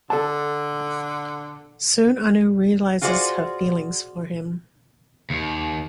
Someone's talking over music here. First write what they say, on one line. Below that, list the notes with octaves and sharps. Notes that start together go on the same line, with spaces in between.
Soon Anu realizes her feelings for him.
D3 A4 A5
F4 F#4 G#4 C5 D5
D#2